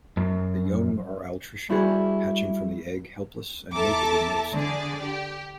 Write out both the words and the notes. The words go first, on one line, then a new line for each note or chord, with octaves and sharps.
The young are altricial, hatching from the egg helpless and naked in most.
F#2
G3 E4 F#4 G#4
E2 A4 E5 A5 A#5 D6
D3 G#4 D5
G4